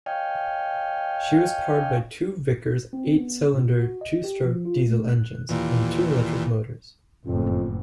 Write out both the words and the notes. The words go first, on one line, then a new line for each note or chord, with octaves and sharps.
She was powered by two Vickers eight-cylinder two-stroke diesel engines and two electric motors.
C#5 D#5 F5 G5 G#5
C4
B3
A#2
F#4
D#5
G4
F3
F4
A3
F#6
D#2 A#2 E3
F#1 F2 A2